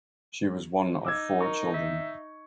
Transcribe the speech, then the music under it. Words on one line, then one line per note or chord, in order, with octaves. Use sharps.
She was one of four children.
D#4 D6 E6 G#6
A#4 C#6
E5